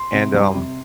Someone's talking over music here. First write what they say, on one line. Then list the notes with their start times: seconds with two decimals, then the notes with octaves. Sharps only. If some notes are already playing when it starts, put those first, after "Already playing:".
and, um
Already playing: C6
0.14 C3
0.34 G3
0.55 C3